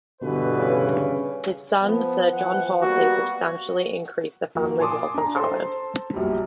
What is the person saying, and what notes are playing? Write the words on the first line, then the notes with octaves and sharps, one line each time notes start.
His son, Sir John Horsey substantially increased the family's wealth and power.
G2 B2 D3 E3 B4
C#3
C#4
F3 B3
E3 F3 F#5
G3 A#3 B3 F#4
F3 A#3 F#4
G#5 A5 C6 D6 D#6
D4 A#5
A4 C5 A5 C6
A#1 B2 F#3 G3